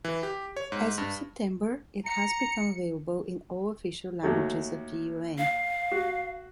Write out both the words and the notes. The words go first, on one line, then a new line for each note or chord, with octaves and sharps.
As of September, it has become available in all official languages of the UN.
E3
G4
C#5
G#2
G2
A#5 C#7
D#2 F#3 A3
F5
F#4